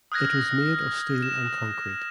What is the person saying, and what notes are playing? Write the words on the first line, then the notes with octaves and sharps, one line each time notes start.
It was made of steel and concrete.
D#6 F6 F#6 G#6 A#6
E7